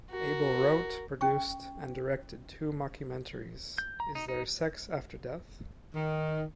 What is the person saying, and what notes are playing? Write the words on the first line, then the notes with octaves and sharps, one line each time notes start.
Abel wrote, produced, and directed two mockumentaries - Is There Sex After Death?
F#4 A#4
C#4 G5 C#6
G6
A#5
D#4
D#4
D#3